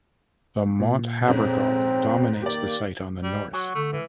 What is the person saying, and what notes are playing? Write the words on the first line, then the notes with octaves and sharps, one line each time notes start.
The Mont Havergal dominates the site on the North.
A#2
F2 G#2 C4 C#4
D#3 A#3 G4 D5
G3
F#3 F#4
D3 A3
C#2 G2 E3